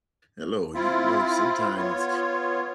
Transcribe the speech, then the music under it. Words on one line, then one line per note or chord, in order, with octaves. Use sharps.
Hello, you know, sometimes,
C4 E4 F4
B3 F4 C#5